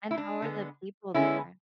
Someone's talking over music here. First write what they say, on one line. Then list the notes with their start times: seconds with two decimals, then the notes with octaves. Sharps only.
And how are the people there?
0.11 E4
0.18 D4
0.42 D3 G#3 B3
1.14 D3 G#3 B3 C#4 E4